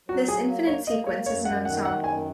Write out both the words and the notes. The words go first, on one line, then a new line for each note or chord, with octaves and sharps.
This infinite sequence is an ensemble.
F#3 F#4
G#4
A#3
C#5
A#3 D#5
C#5
F#2 C#5
F#5
D#3 F#5
F#5
F#2 G#5